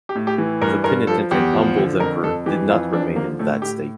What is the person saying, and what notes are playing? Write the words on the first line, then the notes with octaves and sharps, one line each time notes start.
The penitent and humbled emperor did not remain in that state.
G4
A2
G4
E3
G2 A#4
G2 A#4
F3 A4
E2 G4
F3
D3
F2 A#4
F2 A4
E3 G4
F2 F4
F3 D4
D3 A#3
A2 A3
A2 G4